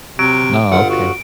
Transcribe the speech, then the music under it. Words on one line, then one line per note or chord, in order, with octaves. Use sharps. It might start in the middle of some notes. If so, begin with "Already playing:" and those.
Oh, okay.
C3 F#3 D7
G1 F4 F#5
F#4